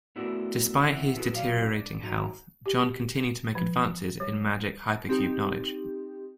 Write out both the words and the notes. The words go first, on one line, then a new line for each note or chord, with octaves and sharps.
Despite his deteriorating health, John continued to make advances in magic hypercube knowledge.
A3 B3 D4 E4 F#4 A#4
C3 E3 D#4 E5 F#5
E4 F#4 G#4 A4 B4
B2 F#3 D5 F5
D4
G#2 F#3 G4 A#5
G4
F3
G3
C4 D#4 G4